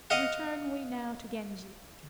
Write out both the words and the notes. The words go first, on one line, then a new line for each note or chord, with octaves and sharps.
Return we now to Genji.
D#5 F5 F#5